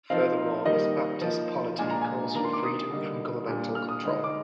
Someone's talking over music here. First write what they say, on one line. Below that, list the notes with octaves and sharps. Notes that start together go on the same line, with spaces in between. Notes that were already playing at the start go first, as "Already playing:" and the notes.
Furthermore, this Baptist polity calls for freedom from governmental control.
F3 C4 D#4 F5
D#3 G3 A#3 D#4 D#5
F3 A#3 D#4
A#2 G#3 D4 G#5
A#5
G#5
D#3 A#3 D4 A#5
C6
D6
D#6
D3 G3 A#3 D#4
A#2 G3 D4
F6
D#6
D3 G#3 D#4
D6